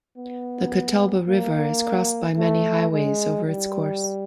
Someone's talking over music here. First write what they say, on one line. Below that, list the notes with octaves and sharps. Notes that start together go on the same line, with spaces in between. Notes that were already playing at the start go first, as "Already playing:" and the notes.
The Catawba River is crossed by many highways over its course.
B3
A#3
A3
G#3
G3